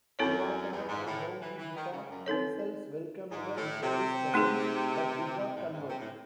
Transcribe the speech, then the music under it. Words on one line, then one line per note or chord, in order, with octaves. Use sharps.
Ruatara and Hongi Hika themselves welcomed the missionaries' presence, but did not convert.
F#2 C4 E4 A4 C#5
E2
G#2
A2
E3
E3
D#3
C#3
F#2
C4 D#4 A4 C#5
G#2
A2
C3
A3 D#4 G#4
C3
A2
G#2
C3
A2